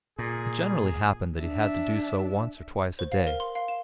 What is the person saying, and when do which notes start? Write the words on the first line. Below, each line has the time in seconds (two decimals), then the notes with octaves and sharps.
It generally happened that he had to do so once or twice a day.
0.19 A#2 G#4
1.39 D4 E5
2.99 C5
3.12 F5
3.27 A#4
3.40 C6
3.55 F5
3.68 E7